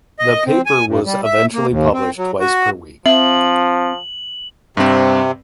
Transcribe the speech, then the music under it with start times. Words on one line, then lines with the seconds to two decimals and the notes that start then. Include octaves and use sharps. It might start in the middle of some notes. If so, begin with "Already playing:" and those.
The paper was eventually published twice per week.
0.19 D#5
0.46 C4
0.66 G#5
0.87 G2
1.05 G3
1.24 E5
1.53 A#3
1.70 D#2
1.94 C4
2.17 F#3
2.40 F#4
3.06 F3 C4 E5 F#7
4.77 G2 C3 C4